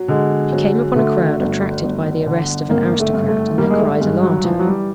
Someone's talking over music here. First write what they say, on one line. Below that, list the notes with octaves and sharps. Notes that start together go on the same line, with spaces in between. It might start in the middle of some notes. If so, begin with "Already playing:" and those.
'She came upon a crowd attracted by the arrest of an aristocrat, and their cries alarmed her.
Already playing: F#3
D3 G#3
F#3
D3 A3
G1
G1
D3
G#1 A#3
A3
G2
A3
G3 A#3
G#3
A3
G2 G#3
F#3
E3 F3
F#3
G3